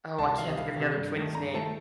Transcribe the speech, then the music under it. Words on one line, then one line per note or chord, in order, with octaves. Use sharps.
Oh, I can't think of the other twin's name-
C2 A5
A5
C3 D#3 F5
D#5
C2 F5
C3 D#3
G2
D#3 A3
G2 A#5
D#3 A3 A5